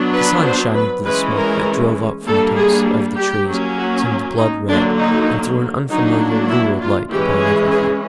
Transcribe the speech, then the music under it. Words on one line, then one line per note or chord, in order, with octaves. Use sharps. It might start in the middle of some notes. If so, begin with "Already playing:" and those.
The sun, shining through the smoke that drove up from the tops of the trees, seemed blood red, and threw an unfamiliar lurid light upon everything.
Already playing: F#3 B3 D4
B4
C5
B4
E3 G#3 C#4 B4
A#4
G3 A#3 D4 A4
G#4
G4
F#3 A#3 C#4
F#4
D#4
D3 F#3 A#3 D4
D#4
F#3 A#3 D4 D#4
E4
F4
E3 G#3 C#4 G4
G#4
G#4